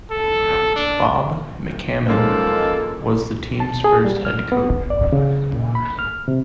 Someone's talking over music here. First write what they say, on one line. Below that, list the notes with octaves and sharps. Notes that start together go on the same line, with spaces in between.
Bob McCammon was the team's first head coach.
A4
D4
F#2 F3 G#3 A#3 D#4 A4
A5
G#4
G3
F6
B3
D5
C#3
A#2
B5
F6
C3